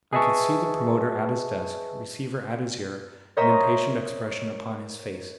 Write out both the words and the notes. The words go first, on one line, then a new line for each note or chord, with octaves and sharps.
I could see the promoter at his desk, receiver at his ear, an impatient expression upon his face.
G#4 B4 D#5 E5 A5 C#6
A#4 C5 C#5 D#5 E5 A#5